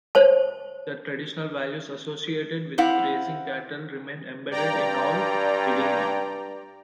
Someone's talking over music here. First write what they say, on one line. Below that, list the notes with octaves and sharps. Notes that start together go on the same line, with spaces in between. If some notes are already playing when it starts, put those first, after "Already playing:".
The traditional values associated with raising cattle remain embedded in all Didinga.
C5 C#5 A5
C4 E4 F5 F#5
G2 D5 G5 A#5